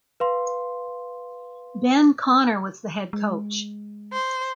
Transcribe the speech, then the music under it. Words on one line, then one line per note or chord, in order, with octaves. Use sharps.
Ben Connor was the head coach.
B4 F5 C6
G#3
C5